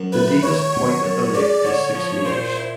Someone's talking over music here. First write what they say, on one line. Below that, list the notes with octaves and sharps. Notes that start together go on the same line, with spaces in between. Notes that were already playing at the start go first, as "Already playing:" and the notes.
The deepest point of the lake is six meters.
Already playing: F#2
A3 B4
D#3 C#5
F#3
F#2 C#5
G#3 D5
D3 C#5
F3
A#2 C5
E4